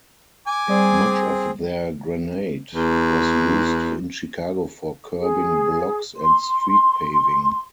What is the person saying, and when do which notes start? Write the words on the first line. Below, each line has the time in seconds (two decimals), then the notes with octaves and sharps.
Much of their granite was used in Chicago for curbing blocks and street paving.
0.47 G#5 D6
0.68 G3 C4 G#4 D5
2.75 E2
5.20 G#4
6.17 C6